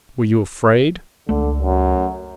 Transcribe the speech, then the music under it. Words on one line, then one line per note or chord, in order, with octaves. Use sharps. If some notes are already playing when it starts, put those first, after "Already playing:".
"Were you afraid?"
C#2 D3 A3
F#2